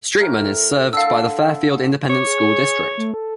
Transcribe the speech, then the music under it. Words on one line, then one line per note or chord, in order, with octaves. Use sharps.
Streetman is served by the Fairfield Independent School District.
A2 A#4
D3 A4 F5 E6
C#5 D6
G#4
A3
A4